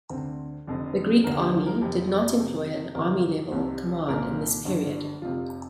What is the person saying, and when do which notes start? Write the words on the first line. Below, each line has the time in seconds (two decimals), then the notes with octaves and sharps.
The Greek Army did not employ an army-level command in this period.
0.10 D2 D3 C4
0.67 F1 F2 D3
1.24 D3 A#4
1.27 D2
1.38 G4
1.52 C5
1.66 A#4
1.81 F1 F2 C3 G4
2.38 F1 F2 C3
2.95 G1 F2 C3 A#4
3.52 C2 C3
4.08 C2 A#2 A#4
4.65 G1 G2 D3
5.22 F1 F2 C3 F4